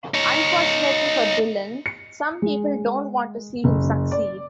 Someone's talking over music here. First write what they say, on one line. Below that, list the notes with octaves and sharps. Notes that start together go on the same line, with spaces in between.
Unfortunately for Dillon, some people don't want to see him succeed.
D#4 C#5
C#7
G#3
F#1
D5